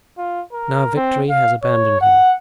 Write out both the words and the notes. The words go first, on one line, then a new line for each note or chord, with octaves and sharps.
Now victory has abandoned him.
F4
A#4
C4
F5
C#5
F#5